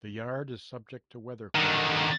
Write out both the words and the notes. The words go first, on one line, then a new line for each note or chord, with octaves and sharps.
The yard is subject to weather closure.
D3 D#3